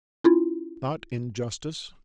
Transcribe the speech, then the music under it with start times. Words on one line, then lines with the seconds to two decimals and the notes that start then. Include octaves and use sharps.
'Not in justice?'
0.24 C#4 E4 F4